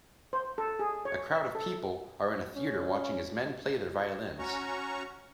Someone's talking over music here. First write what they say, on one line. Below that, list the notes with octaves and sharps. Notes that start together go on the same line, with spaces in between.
A crowd of people are in a theater watching as men play their violins.
C5
A4
G#4
C#5
E5
A4
C#4
C#4 F#4 A#5 C#6